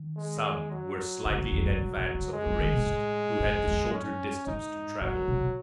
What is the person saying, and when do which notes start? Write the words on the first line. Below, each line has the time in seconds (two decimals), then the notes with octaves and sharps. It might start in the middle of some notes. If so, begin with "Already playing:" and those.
Some were slightly in advance of the rest, who had the shorter distance to travel.
Already playing: D#3
0.17 G#3
0.71 F#3
1.25 C#3
1.38 F#2
1.52 E2
1.66 F#2
1.79 A2
1.97 B2
2.15 C#3
2.33 G#3
2.46 F#3
2.59 D#3
2.73 B2
2.86 A2
3.40 A2
3.53 F#2
3.67 E2
3.80 F#2
3.93 C#4
4.47 G#2 D#4
5.01 A2 F#3
5.14 C#3
5.28 B2
5.41 B2